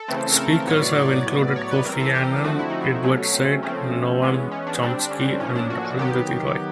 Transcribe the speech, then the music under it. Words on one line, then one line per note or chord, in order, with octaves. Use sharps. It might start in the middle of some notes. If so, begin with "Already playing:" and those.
Speakers have included Kofi Annan, Edward Said, Noam Chomsky, and Arundhati Roy.
Already playing: A4
C#3 E3 A3 C4
A#4
A4
A#4
A2 F#3 B3 C#5
D5
A2 F#3 B3
C#5
B4
E3 G3 C4 A#4
A4
G4
G4
D3 F3 A3 C4 F#4
E4
D#4
E4
B2 F#3 A3 C#4
C4
C#3 F3 A3 C4 C#4
E3 G#3 B3 C#4
C#4
D4
C#4
D3 G3 C4 D4
D4
C#4
C4
C#4
A2 F3 A#3 C#4
D4
F#4
F#4
D#3 F#3 B3 G4